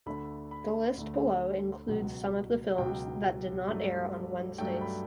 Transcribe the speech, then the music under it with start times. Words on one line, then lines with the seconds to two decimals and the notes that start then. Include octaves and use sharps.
The list below includes some of the films that did not air on Wednesdays.
0.06 D2 D3 A3 B5
0.51 B5
0.97 D2 D3 A3
1.88 C#2 B2 F#3
2.78 C#2 B2 F#3 G5
3.68 G2 F#3 A3
4.58 G2 F#3 A3 G5
4.81 B5